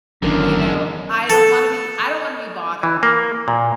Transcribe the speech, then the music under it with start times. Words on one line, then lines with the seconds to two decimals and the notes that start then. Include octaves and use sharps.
you know, I don't wanna be I don't wanna be bothered.
0.23 F#1 E2 D3 D#3 F#3 C#4 D4 A#4
1.30 A4
2.83 E3
3.03 A#3
3.48 A#2